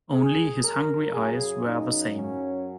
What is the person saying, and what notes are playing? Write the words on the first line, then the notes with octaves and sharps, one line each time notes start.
Only his hungry eyes were the same.
F#2 F#3 G#4
A#4
F#2 C#3 F#3 G#4
D#4
F#2 C#3 F#3 C#4